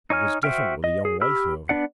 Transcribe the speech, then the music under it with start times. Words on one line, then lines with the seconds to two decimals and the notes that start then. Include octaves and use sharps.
It was different with the young wife, however.
0.10 D#4 C#5 G#5 F6
0.43 F#4 C5 E5 G5 F6
0.84 D#5
1.05 G#4
1.21 G4 B5 E6 F6
1.69 B3 D4 D5 F#5